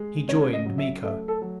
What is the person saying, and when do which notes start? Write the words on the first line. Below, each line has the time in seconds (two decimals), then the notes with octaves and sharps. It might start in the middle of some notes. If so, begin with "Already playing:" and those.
He joined Miko.
Already playing: G#3
0.28 C#3 C#5
0.53 D#5
0.66 F#3
0.78 E5
1.03 A3 E5
1.28 A4
1.42 F#3